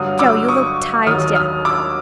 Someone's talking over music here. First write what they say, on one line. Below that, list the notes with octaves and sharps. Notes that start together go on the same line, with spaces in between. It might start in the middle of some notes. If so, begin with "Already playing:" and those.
Jo, you look tired to death.
Already playing: G2 D3 F#3 D#6 F6
D6 E6
C#6 D#6
D#2 D#3 F#3 D#6 F6
D#6 F6
D6 E6